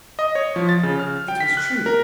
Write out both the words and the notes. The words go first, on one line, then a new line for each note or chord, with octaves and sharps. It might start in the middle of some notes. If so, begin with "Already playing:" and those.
It was true.
D#5
C#5
F3
A6
C#3
F6
G5
B6
F#6
A#4